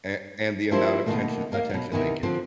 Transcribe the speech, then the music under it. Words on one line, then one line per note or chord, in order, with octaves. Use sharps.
a and the amount of tention attention they get
F3 A#3 E4 G4 C5 E5
B2 D#3 F3 F#3 A3 A#3
A#3 D#5 F5
B2 F#3
C3 D#3 E3 B3
D3 F3 C4